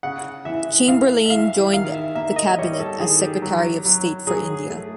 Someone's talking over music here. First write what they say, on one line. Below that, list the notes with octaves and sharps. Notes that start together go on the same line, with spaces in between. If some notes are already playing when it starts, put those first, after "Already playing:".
Chamberlain joined the cabinet as Secretary of State for India.
C#3 F#5
E3 E5
E3 F5
E5
E3 F5
D#3 F5
E5
A#3 E5
D#5
G3 C#5
A4
D#3 G#4
G4
F#3
F#3
F#3 G#4
A3